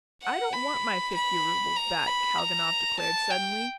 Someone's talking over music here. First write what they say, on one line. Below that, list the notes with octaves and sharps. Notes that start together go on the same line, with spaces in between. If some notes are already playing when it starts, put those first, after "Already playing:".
"I don't want my fifty roubles back," Kalganov declared suddenly.
F#5
B5
B5
A#5
B5
A#5
A5
G5